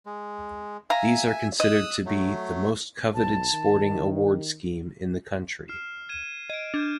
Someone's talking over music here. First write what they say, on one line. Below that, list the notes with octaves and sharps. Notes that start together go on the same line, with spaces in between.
These are considered to be "the most coveted sporting award scheme in the country".
G#3
E5 F5 G#5 A#5
D#5 D#6 E6 F#6
F#3 A3
B1 A5
D#3
F6 C7 E7
G#6 D#7 E7
D#5 G#6 D7
D4 F6 G6 G#6